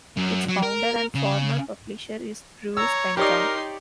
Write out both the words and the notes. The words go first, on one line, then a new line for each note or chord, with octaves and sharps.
Its founder and former publisher is Bruce Penton.
F#2
F#3
A#4
C#3
C#5 A#5 E6
D#4 G4 A#4 C#5 D5 C6